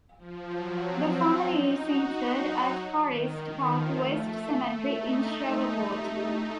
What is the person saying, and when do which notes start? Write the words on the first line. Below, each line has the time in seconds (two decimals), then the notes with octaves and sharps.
The family is interred at Forest Park West Cemetery in Shreveport.
0.18 F3
0.49 F#3
0.81 C4
1.44 D#4
1.76 F#4
2.08 D#4
2.40 F#3
3.03 D#3
3.35 D#3
3.66 F3
3.98 A3
4.61 A3
4.93 D#4